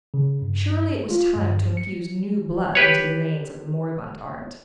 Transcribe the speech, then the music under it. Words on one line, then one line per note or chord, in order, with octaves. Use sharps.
Surely it was time to infuse new blood into the veins of the moribund art.
C#3
G2
F4
G2
C#7
G4 B4 C#5